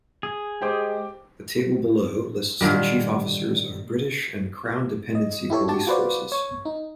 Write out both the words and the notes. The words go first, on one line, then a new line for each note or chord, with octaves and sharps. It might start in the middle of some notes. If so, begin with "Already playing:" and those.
The table below lists the chief officers of British and Crown dependency police forces.
G#4
G#3 G4 C5 D6
A#2 D3 D#3 G3
D#5
E4 G4 A4 C#5
D4 F#4 G4 D5 A5
F4 F#4 B4 C5 D5
C#5
D#4